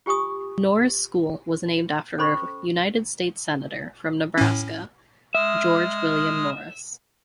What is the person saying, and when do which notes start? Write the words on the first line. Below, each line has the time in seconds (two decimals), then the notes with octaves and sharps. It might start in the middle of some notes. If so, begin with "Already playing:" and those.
Norris School was named after a United States senator from Nebraska, George William Norris.
0.06 F4 G4 G#5 C#6 D#6
2.18 C#4 A4 C5 B5 C#6
4.38 A2 C#4
5.35 G#3 E5 D#6 F6